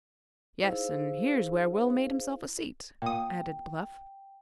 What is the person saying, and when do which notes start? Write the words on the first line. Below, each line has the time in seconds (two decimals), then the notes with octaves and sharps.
"Yes, and here's where Will made himself a seat," added Bluff.
0.62 D#4 E4 G#4 C5 F5
3.02 A#2 G5 D#6